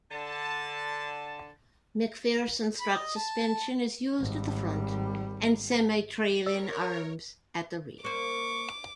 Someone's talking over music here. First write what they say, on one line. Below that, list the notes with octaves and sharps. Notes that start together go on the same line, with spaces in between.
MacPherson strut suspension is used at the front and semi-trailing arms at the rear.
D3 A5
B5
D#5
A5
G#1 G3
A#4 C#5 D5 E6
A#3 C5 C#6 D6